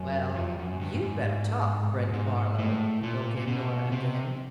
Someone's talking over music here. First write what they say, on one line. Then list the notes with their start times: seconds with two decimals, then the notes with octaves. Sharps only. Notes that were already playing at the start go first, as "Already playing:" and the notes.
"Well, you'd better talk, Brenda Barlow," broke in Nora again.
Already playing: F#2
0.36 F2
0.59 F#2
0.81 G2
0.94 G2
1.02 G#2
2.08 G2
2.13 G#2
2.59 A2
3.03 A#2
3.37 A#2
3.48 B2
3.92 C3